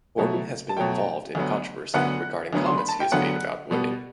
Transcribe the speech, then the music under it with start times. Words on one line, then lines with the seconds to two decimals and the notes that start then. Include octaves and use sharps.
Corbin has been involved in controversy regarding comments he has made about women.
0.18 B2 F#3 A3
0.69 A5
0.77 B2 F#3 A3 G5
1.35 D2 D3 F#3 B3
1.94 D2 D3 F#3 B3 F#5
2.53 D2 D3 F#3 B3
2.66 C6
2.78 B5
2.88 A5
3.00 G5
3.12 D2 D3 F#3 B3 F#5
3.71 B2 G3 B3